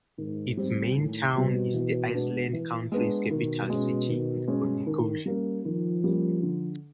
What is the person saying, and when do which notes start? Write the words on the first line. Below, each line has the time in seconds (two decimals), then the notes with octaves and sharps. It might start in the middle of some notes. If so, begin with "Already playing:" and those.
Its main town is the island country's capital city, Nicosia.
0.18 G#2 D#3
0.57 G3 C4
0.97 A2 D#3
1.35 B2 G3 C4
1.74 E3
2.14 G#3 B3 D4
2.53 E3
2.92 G#3 B3 D4
3.30 B2 D#3
3.70 G#3 C#4
4.09 D#3
4.48 G#3 C#4
4.87 D#3
5.26 G3 A#3 C#4
5.65 D#3 F3
6.04 G3 A#3 C#4
6.43 D3